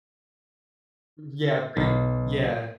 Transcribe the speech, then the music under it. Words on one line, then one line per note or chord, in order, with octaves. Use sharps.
N yeah. Pre yeah.
B1